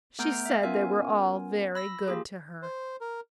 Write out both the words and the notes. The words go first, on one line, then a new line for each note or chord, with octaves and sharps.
She said they were all very good to her.
A3 B3 A#5 F6 G6 D7
E5 F5
B3 C#4 F4 A#4 G#5
B5 E6 A#6
A#3 F4 G4 G#4
C5
A#4